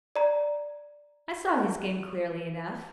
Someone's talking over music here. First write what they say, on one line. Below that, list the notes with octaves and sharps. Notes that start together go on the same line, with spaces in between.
I saw his game clearly enough.
D5 A#5